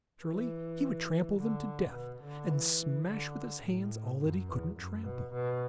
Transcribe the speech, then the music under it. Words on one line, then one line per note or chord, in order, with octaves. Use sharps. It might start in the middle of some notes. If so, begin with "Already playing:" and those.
Naturally he would trample them to death, and smash with his hands all that he couldn't trample.
E3
D3
B2
D3
E3
D3
A2
F#2
E2
F#2
B2
B2